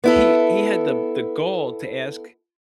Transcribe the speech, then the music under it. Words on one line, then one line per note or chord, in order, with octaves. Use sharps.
he he had the the gall to ask
B3 E4 A4